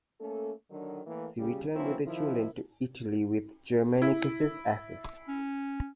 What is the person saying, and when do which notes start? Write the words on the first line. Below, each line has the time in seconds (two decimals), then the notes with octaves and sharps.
She returned with her children to Italy with Germanicus' ashes.
0.21 A3 A#3 C#4 A4
0.71 D3 D#3 F#3
1.06 A2 E3 A#3
1.38 C#3 G3
1.75 E3 F#3 A#3 C4 C#4 E4
2.06 D#3 F3 E4
4.02 E4
5.28 C#4